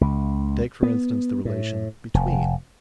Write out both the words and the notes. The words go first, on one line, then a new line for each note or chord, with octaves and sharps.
Take, for instance, the relation 'between'.
C#2
B3
A2
F1